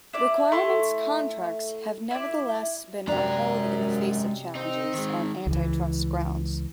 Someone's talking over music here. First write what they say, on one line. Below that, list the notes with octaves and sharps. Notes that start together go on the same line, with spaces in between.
Requirements contracts have nevertheless been upheld in the face of challenges on antitrust grounds.
E4 D5
A3 E4 C6 C#6
E4 D5
F#2 C3 G#3 D4 A#5
C4 D#4
D#3 G#3
C#2 E3